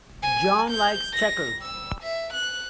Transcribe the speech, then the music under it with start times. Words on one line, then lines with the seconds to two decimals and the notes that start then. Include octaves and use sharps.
John likes checkers.
0.23 G#5
0.71 G6
1.13 A#6
1.62 E6
2.03 E5
2.33 F#6